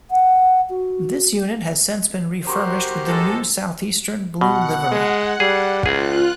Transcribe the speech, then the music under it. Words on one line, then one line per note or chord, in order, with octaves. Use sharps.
This unit has since been refurbished with the new Southeastern blue livery.
F#5
F#4
F#4 G4 A#4 C5 A#5 C6 C#6
G#3 A4
B2 F#5
G#3
G3 G#4
C#2 F4 G#4 F#6